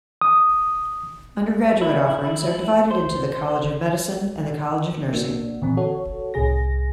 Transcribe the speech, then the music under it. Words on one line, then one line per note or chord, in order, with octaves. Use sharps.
Undergraduate offerings are divided into the College of Medicine and the College of Nursing.
D#6
E4
C5
A#3 D4 F#4
A#2 D3 E3 C4
F#4 A4 C#5
C2 A2 C3 G#4 A#6